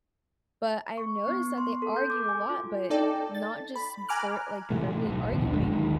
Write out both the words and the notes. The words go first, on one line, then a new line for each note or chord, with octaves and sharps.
but I noticed that they argue a lot, but not just ver like, verbally arguing,
C#6
B3
C6
A4
G6
D6
G#5
F4
D#4 A4 D5 G5
A6
B5
G#5 A#5 D6 F6 F#6
A2 C3 E3 A3
B1 A2
D#2 B2 D3 F3
G1 F#2 D3 G#3
D#2 D#3 G#3